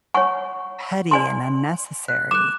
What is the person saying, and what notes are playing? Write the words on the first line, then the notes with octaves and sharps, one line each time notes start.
petty and unnecessary.
C#5 F#5 G#5 C#6
D5 G#5 C6
F#6
D6 F#6 E7